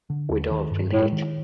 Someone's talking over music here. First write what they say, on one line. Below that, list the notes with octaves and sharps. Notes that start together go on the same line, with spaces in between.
We'd all been hit.
D3
D#2
D#3
G2
A2 G#3
D#3